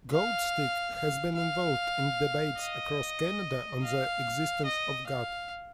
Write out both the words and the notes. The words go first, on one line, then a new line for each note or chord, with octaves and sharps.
Goldstick has been involved in debates across Canada on the existence of God.
F5
F5
F5
D#5
F5
D#5
F5